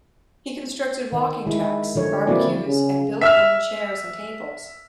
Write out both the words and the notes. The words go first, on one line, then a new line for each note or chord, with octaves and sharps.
He constructed walking tracks, barbecues and built wooden chairs and tables.
D#3
D#3 G#3 E4
D3 F3 C#5
F3 F#3 A#3 C4 E4 D5
C#3
E5 E6 F6